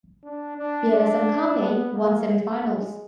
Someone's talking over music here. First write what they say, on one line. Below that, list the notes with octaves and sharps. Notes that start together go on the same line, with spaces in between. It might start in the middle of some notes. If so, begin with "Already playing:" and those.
Biellese and Carpi won semifinals.
D4
D4
D4
B3
A#3
G#3